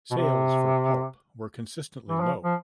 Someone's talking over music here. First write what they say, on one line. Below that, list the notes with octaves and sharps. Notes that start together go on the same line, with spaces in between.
Sales for "Pulp" were consistently low.
B2
C3
E3
F3
F3